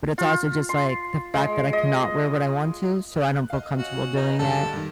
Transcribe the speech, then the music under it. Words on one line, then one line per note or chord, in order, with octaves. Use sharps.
but it's also, just, like, the fact that I cannot wear what I want to so I don't feel comfortable doing it,
F4
C6
G#3
D#5
F#6
D#5 F5
C#4 F#4
B3 C#4 D#4
C2 G2 D3 A4 A5
G2 D#3